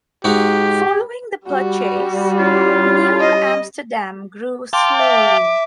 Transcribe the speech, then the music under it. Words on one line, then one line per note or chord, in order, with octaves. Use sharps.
Following the purchase, New Amsterdam grew slowly.
G#2 D#4 F#4 G4
G3 F#4
C#4 E4 F4
D#5
F5 G5 A5 C6 D6
E5